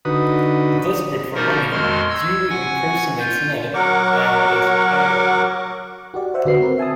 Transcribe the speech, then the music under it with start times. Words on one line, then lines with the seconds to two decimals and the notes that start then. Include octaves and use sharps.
Desperate for money, Dewey impersonates Ned and is hired.
0.05 D3 D#4 F#4 B4 D#6
1.35 F3 G3 A#3 D#4 F#4 A#4
1.72 F2 D#3 G#3 F#4 C6 F6
2.10 E6 G#6
2.50 F#5 G#5 C#6
3.19 F4 G6
3.74 F#3 A#4 F#5 C#6 D6
6.14 F#4 G4 D5
6.34 C5 C#5 E5 F#5
6.45 D3 F#4 B4 C7
6.60 C4 A#4 B4
6.78 E5 G#5 A5 D#6